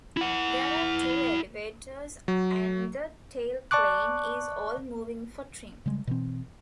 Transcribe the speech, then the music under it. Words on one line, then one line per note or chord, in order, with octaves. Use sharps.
There are two elevators and the tailplane is all-moving for trim.
E4 F#5
F#3
D5 A5 C#6 D6 F#6
C#3 G3 G#3
B2 E3 C4